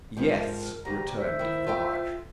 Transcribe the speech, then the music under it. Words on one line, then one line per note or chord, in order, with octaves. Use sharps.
"Yes," returned Defarge.
F2 G#2 F3 A#4
D2 G4 A#5
C5 E5
D#3 E4
F4 A4 G5